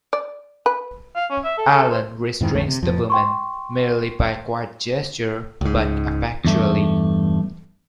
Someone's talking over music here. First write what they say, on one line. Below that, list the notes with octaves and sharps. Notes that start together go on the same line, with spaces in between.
Allan restrains the woman, merely by a quiet gesture, but effectually.
D5
B4
F5
C#4
E5
A4
A4
C5
F2 G#2 D#3 E3
A1 E2 A3
C3
F1 F2 F3
G5 C6 C#6
C#2 G#2
E2 G2 A3